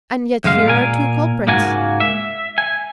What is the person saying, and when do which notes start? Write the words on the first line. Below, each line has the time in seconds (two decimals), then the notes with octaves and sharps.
"And yet here are two culprits."
0.44 F#2 C#3 G#3 F5
0.66 A#2 A#4 G#5
1.47 C#2 G#2 A#3 F#4 G#5
2.00 E5
2.58 G#5